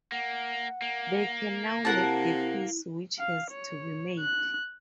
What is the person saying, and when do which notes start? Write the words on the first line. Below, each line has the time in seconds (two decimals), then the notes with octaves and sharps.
They can now make the peace which has to be made.
0.12 A#3 F#5
0.82 A#3
1.85 C3 E4 A#4 F#5 A5
3.19 F5
3.51 C#5
4.20 F#6